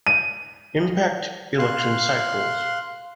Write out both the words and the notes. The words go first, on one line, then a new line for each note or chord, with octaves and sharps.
Impact elections cycles.
D#7
F5 C6 F#6